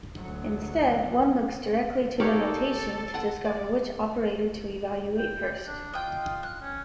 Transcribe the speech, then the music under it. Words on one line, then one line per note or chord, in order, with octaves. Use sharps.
Instead, one looks directly to the notation to discover which operator to evaluate first.
D2 F#3
A#3 D#4 G4 A4 A#4 C#5 D5
A6
F#5 A5
D5
G5
D4
F4 D#5 G5
F#6
C#4